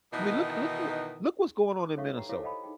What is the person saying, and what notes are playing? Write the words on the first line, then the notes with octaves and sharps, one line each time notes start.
I mean, look look who Look what's going on in Minnesota,
B2 D#3 E3 D#4
D#4 D6
D#4 A4 C#5 E5 F5 C#6
D4 G4 B4 G5 A#5
E4 G4 C5 C#5 F5 D6
A4 D#5 F5 G5 A5 B5
D#4 G#4 G5